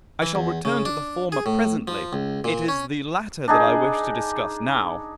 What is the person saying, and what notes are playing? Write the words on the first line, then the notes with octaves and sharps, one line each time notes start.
I shall return to the former presently; it is the latter that I wish to discuss now.
E3
E2
C#3
D4
G#4
A2
F3
C#2
A#2
C#4
D4 D#4 G#4